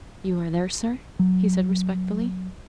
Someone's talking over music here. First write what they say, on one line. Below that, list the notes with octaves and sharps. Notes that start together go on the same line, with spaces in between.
"You are there, sir?" he said, respectfully.
F#3